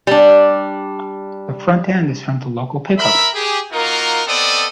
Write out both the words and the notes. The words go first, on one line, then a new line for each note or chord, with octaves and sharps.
The front end is from the local Pickup.
G3 D4
A#4 E5 B5
G4 G#4
A#3 D#4 F4 F#4 A#4
B3 C4 A4 D5 D#5 D#6